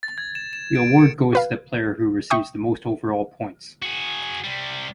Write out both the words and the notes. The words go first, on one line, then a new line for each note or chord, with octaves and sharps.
The award goes to the player who receives the most overall points.
A6
G#6
E7
E7
D7
C#7
F#4 B4 F5
E5 G5 C#6 D#6
F#4 G#4
C3 G3